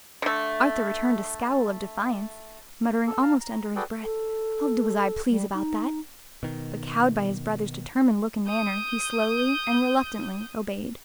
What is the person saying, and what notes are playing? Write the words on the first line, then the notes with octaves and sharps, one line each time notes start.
Arthur returned a scowl of defiance, muttering almost under his breath, "I'll do as I please about that;" but cowed by his brother's determined look and manner, he slowly and reluctantly obeyed.
D3 A3
A4
F5 A5 A#5 F6
A#5
F#4 G#4 A4 B4 D5 G5
A4
G3
D#4
B2 D#3
D#6 G6